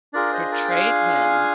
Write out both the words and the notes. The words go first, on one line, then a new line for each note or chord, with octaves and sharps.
portrayed him
D4 F4 G#4 A#4 D5
C5 D#5
A#4 D5
G5
F5 G#5